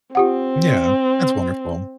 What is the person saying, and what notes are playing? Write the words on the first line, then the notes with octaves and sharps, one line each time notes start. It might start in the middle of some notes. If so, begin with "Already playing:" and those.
Yeah. That's wonderful.
C4 F4 G4 F#5